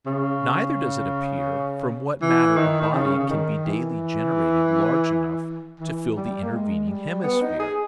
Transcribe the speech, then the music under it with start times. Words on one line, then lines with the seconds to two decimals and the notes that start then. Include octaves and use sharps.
Neither does it appear from what matter a body can be daily generated large enough to fill the intervening hemisphere.
0.06 C#3
2.22 E3
2.57 D#3
2.82 D#3
2.94 C#3
3.20 C#3
3.30 D#3
3.65 E3
5.80 E3
6.17 G3
6.43 A#3
6.53 G#3
6.88 G3
7.24 B3
7.42 D#4
7.60 G#4